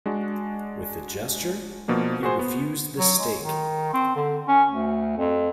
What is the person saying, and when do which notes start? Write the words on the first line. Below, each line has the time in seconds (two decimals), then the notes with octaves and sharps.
With a gesture he refused the stake.
0.06 G#3 D4 F#4
1.88 B2 F3 A#3 D4
2.23 F#4 G#4 C5
2.39 B3
2.99 F#3
3.19 G#3
3.41 D#3
3.94 C4
4.16 D3
4.48 C#4
4.71 D2
5.18 F2